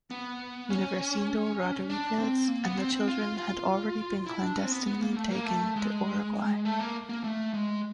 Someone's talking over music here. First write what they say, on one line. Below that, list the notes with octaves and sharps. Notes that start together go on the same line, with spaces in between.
Universindo Rodriguez and the children had already been clandestinely taken to Uruguay.
B3
C#4
D4
C4
A#3
B3
C4
C4
F4
F4
E4
D4
C#4
C4
B3
B3
A#3
A3
A#3
A3
G#3
A3
A#3
A#3
A3
G#3